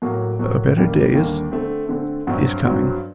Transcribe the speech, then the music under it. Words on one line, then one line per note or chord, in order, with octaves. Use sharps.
A better day is--is coming.
A2 F#3 A#3 F#4
A2 F#3 A#3 F#4
D#2 D3 G3 A#3
D#2 D3 G3 A#3
D3 A3 C4
D3 A3 C4
G2 F#3 C4 F#4
G2 F#3 C4 F#4